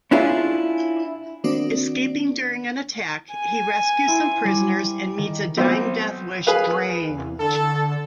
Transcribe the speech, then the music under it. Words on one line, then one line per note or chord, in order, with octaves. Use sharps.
Escaping during an attack, he rescues some prisoners and meets a dying Deathwish Drang.
C#4 D4 E4 F4 G#4
D#3 A#3 C4 D4 F#4 D5
G#5
E4 C5
G3
D#3
B1 C4
G#4 B4 F5
E2
D3 A4